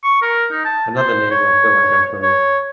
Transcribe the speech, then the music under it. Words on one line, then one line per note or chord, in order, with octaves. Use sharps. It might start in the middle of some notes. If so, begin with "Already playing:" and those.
Another name I feel like I've heard.
C#6
A#4
D#4
A5
C5
C#5
C#5